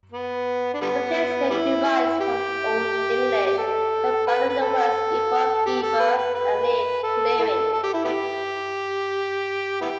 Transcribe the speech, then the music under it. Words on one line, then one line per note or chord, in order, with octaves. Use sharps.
The placename derives from Old English, combining the words "befer" "beaver" and "leah" "clearing".
B3
D4
D3 G3 B3
G3 B3 E4
G4
G4
A4
B4
B4
A4
G4
A4
B4
B4
B4
A4
E4 A4
A4
G4
E4
B3 E4 G4
B3 E4 G4